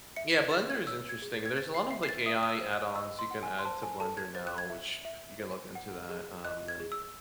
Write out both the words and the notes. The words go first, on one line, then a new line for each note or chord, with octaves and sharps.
Yeah, Blender is interesting, there's a lot of, like, AI add-ons you can add to Blender now, which you can look into that, um, and,
E5 C#7
C#7
C7
G#4 A6
G#6
C#5 E6
G#6
G#4
A6
G#6
C5 A6
C7
E5 C7
C7
A6
E5 D#6
D#6
E6
C5
F#6
D#5 E6
C6
F#5
G#5
C6
C5 A5
G#5
A4 A5
G#6
C5 A6
F#6
G#6
E5
E5
C5
F#5
G#4
D#5 F#6
G#6
G#4
E6